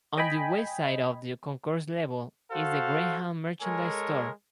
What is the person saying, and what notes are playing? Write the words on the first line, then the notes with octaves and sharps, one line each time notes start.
On the west side of the concourse level is the Greyhound merchandise store.
D#5 G5 G#5 B5
F#4 A4 C5 F5
G#3 A4 A#4 C#5 G#5